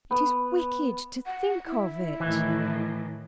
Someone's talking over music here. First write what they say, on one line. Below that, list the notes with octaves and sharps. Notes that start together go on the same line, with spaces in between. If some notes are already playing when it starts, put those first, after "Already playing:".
"It is wicked to think of it."
B3
F#5
E4
A2 D#3 E3